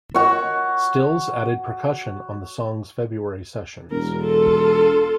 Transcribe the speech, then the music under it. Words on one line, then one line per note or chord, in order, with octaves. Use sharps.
Stills added percussion on the song's February sessions.
F#4 C#5
E1 A#4
F4 A4